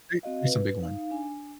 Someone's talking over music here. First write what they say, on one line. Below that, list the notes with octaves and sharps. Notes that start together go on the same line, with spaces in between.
the is a big one.
C4 F#4 D#5 F5
B4
D#4 F5
D4 G#5